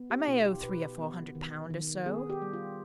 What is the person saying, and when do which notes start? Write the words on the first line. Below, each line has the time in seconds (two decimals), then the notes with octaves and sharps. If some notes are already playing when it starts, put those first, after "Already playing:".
"I may owe three or four hundred pounds or so."
Already playing: B3
0.10 G4
0.20 D#4
0.28 B2 F4
0.46 G4
0.63 B2 B4
0.99 B3
1.35 D#3
1.70 D#3
2.06 B3 G#4
2.30 G4
2.42 G3
2.53 F4